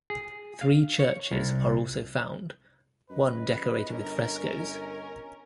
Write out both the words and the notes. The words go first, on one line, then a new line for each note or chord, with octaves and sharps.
Three churches are also found, one decorated with frescoes.
G#4
F5
C#5
C2
F#2 B4 D#5
G1 C#4 A#4